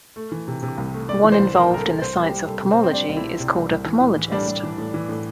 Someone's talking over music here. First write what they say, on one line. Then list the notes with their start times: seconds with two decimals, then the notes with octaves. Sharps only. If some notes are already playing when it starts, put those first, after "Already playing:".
One involved in the science of pomology is called a pomologist.
0.16 A3
0.32 E3
0.48 C3
0.63 C3
0.78 C2
0.94 A3
1.09 A3 D5
1.24 E3
1.32 C5
1.39 C2
1.55 C3 A#4
1.70 C2 A#4
1.78 A4
1.86 C2
2.01 C2 C5
2.16 C2
2.24 G4
2.32 G3
2.47 C2 A4
2.62 C3
2.71 C4
2.78 C3
2.83 C4
2.93 G3 D4
3.09 C2
3.17 E4
3.24 C3
3.40 C3
3.55 C2
3.70 C2
3.86 E3
4.01 A2
4.16 E3
4.32 G3 D4
4.48 G3
4.63 E3
4.78 A2
4.94 E3
5.09 A2